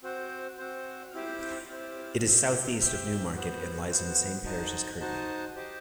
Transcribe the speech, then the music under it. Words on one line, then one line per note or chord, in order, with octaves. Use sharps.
It is south-east of Newmarket and lies in the same parish as Kirtling.
C4 F#4 C5
C4 F#4 C5
C4 E4 G4 C5
C4 E4 G4 C5
G4 C5 E5 G5
G4 C5 E5 G5
B3 F#4 C5
B3 F#4 C5
D#4 F#4 C5 D#5 A5
D#4 F#4 C5 D#5 A5
G4 C5 D#5